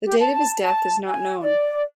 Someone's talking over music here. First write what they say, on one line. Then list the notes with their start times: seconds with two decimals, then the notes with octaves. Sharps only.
The date of his death is not known.
0.05 G4
0.20 A5
0.62 A5
1.08 G#5
1.42 D5